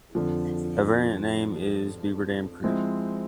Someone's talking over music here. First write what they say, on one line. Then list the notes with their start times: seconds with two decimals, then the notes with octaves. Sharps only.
A variant name is Beaverdam Creek.
0.15 F2 D3 F3
2.64 F3 G#3 C4 E4